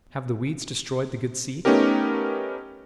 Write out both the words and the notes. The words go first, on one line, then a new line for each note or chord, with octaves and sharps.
"Have the weeds destroyed the good seed?"
A3 B3 C#4 D#4 G4 A#4